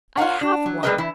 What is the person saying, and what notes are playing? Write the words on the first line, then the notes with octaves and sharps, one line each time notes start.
"I have one."
F4 A#4 C#5 F5 F#5
D4
F#3
G3 G#3 G#4 A#4 B4 D#5
E3 E4